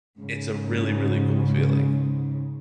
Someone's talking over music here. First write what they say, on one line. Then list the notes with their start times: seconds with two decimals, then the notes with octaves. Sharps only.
it's a really, really cool feeling
0.19 G#2 C#3